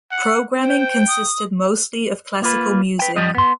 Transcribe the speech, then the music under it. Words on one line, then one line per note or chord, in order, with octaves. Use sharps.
Programming consisted mostly of classical music.
F#5
C5 G5
D#6
A#3 F4 B4
B4 G5
F#2 F3 G3 G4 D#5
B3 C6